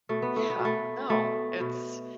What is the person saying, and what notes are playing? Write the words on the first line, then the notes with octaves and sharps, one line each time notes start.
Yeah. No, it's
B2 A3
B3
A3
B3
B2
A3
B2 A3
B2